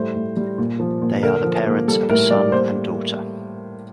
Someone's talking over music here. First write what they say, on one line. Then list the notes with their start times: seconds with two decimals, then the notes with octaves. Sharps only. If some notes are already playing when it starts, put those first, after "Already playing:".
They are the parents of a son and daughter.
Already playing: A2 G3 C5
0.16 A2
0.37 G3
0.58 A#2
0.80 F3
1.02 A#2
1.23 D3 A#4
1.44 F3
1.66 A#3
1.88 G3 A4
2.10 A2 A#4
2.31 G3 D5
2.52 A#3 C5